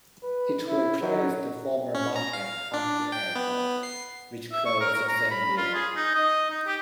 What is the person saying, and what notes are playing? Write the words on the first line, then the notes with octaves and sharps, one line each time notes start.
It replaced the former Marquette County Airport which closed the same year.
B4
E4
F#3
C#4
A#5
F5
D4
G5
B3
B3
C7
E5
C#6
A#4
A#4
A#5
B5
F4
G#4
D#4
D#5
D#4
G4